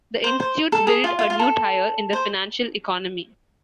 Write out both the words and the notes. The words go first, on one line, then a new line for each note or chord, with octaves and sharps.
The institutes built a new tier in the financial economy.
C5
C5
A4
G#4
F4
F4
F4
A4
C5